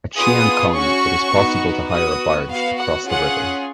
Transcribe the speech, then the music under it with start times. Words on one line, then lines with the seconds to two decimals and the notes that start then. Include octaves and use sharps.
At Chiang Khong it is possible to hire a barge to cross the river.
0.17 B3 F4 G#4 D#6
0.76 C#4 F#4 C#6
1.33 B3 D#4 F#4
1.91 B3 F#4 D#6
2.49 B3 F#4 F5
2.78 F#5
3.07 C#4 F4 G#4 F#5